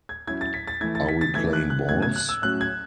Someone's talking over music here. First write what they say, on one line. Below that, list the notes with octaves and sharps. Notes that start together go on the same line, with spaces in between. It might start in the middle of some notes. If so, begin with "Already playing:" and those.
Are we playing balls?
G#6
F#3 C#4 E4 G#6
A6
B6
A6
E3 A3 E4 G#6
A6
B6
A6
E3 A3 E4 G#6
F#6
F#6
A2 F#3 C#4 G#6
G#6
F#6
E6
A2 F#3 C#4 F#6
G#6